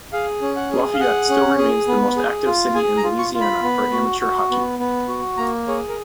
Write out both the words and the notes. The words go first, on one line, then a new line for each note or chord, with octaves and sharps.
Lafayette still remains the most active city in Louisiana for amateur hockey.
G#4 F5
C#4
F#5
G#4
F5
G#4 F#5
C#4
G#4
B3
G#4
F4
G#4 G#5
A#5
F4
C#6
F4
B5
B3
F#4
F#4
B3
B3
F#4
A#3 A#5
G#4 C#5
A#4